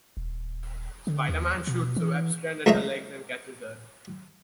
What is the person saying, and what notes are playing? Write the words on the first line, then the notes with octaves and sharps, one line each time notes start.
Spider-Man shoots a web strand at her legs and catches her.
D#1
D3
D#2
B2
E3
C#2 A3 C5 D#5 E5 A#5